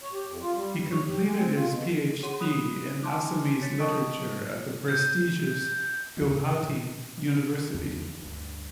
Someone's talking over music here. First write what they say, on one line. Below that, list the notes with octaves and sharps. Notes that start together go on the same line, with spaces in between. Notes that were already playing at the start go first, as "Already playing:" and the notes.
He completed his PhD in Assamese literature at the prestigious Gauhati University.
C#5
G4
F2
F4
G3
G2
C#5
G4
G#3
C4
F4
B2
F#4 G#4 C#5 F#5 C6 D#7
B5 D#6 F#6 F7
G#5 A5 C6 D6
C#5 A6 B6 C#7
D#5 G5 A5 C#6 D#6 D7
G6
D#2 G3
A2 C#3 E3 D4
B2
E2 G2 D3
D2 G2